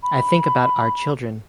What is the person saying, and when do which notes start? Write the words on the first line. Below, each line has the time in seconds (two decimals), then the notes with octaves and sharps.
I think about our children.
0.02 B5